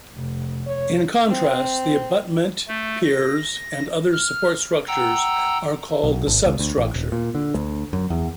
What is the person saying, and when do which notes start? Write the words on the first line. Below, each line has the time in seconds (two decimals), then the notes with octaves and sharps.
In contrast, the abutment, piers, and other support structures are called the substructure.
0.15 F1
0.67 C#5
1.31 C4
2.68 A3
3.05 A#6
4.13 F6
4.88 F#5 G5 A#5 E6
6.03 B1
6.27 G#1
6.46 C#2
6.59 D2
6.78 A1
6.94 D#1
7.12 A#2
7.35 D3
7.55 D2
7.93 F#2
8.10 E2